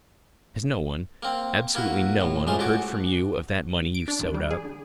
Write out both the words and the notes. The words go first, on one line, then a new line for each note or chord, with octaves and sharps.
Has no one, absolutely no one, heard from you of that money you sewed up?
A#3 C4
A#3 E4 F#4
A2
C#2 E3 F3 C6
A3 F#4 D6
D7
D4
A1
G3
G#4
D3